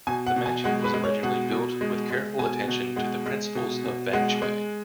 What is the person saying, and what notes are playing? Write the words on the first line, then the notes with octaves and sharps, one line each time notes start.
The mansion was originally built with careful attention to the principles of Feng Shui.
B2 G#5
F#5
B2
G#5
G#3 F#5
B4
G#3
C#5
B2 F#5
B2
G#3
G#3
B2 G#5
B2
G#3 F#5
G#3
B2
B2
G#3 F#5
G#3